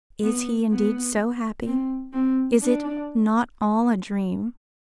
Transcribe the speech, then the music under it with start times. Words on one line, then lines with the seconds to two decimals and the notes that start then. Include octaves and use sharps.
Is he indeed so happy; is it not all a dream?
0.23 B3
0.71 B3
1.66 C4
2.13 C4
2.61 D4